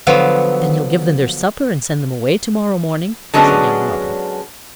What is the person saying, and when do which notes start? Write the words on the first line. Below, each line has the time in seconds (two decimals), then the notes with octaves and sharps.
"Then you'll give them their supper and send them away to-morrow morning," said young Robin.
0.07 D3 F3 F#3 B3
3.34 D3 F#3 G#3 B3 C#4 D4